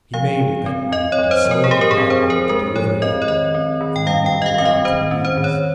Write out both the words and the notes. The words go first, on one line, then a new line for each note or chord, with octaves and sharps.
He made, at that moment, a solemn vow to deliver him and then looked around for the means.
F3 F5
F3
C4
C4 D#5
C#5
F3
C5
F3
A#4
G#4
F3 G4
A#4
G#4
C4
C5
F3
A#4
G#3 A#4
F3 C#5
C4 D#5
C#5
D#3 D#5
C4
D#3
G5
G3 F5
G5
D#3
D#5
F5
C4 F5
D#5
D#3 C5
C#4
C5
D#3
C#5